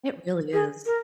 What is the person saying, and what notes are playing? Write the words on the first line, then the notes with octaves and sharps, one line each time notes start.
It really is.
G#4
A#4